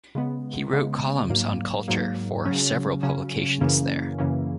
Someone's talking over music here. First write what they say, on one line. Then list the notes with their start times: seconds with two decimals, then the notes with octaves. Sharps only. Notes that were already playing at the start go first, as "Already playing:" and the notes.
He wrote columns on culture for several publications there.
0.15 C#3 G#3 B3
0.73 C#3 G#3 B3
1.29 G#2 F#3 A#3
1.88 G#2 F#3 A#3
2.45 C#3 F#3 C#4
3.03 C#3 F#3 C#4
3.61 F#2 C#3 E3 A#3 C#4
4.19 F#2 C#3 E3 A#3 C#4